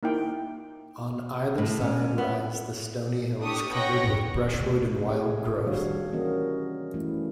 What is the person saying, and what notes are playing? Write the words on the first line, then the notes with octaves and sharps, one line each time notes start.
On either side rise the stony hills covered with brushwood and wild growth.
A#3 D#4 E4 G5
A2
C#4
B3
D4 G4 C#6 D#6
B4 C#5 F#5 G5 C#6 A#6
C3 A3
G#3 G4 G#4 C#5
D#3 G3 D4 F#4 C#5 F5
E3 A#3 C#4 F#4 A#4 D#5
E3 G3 A3 C#4 E4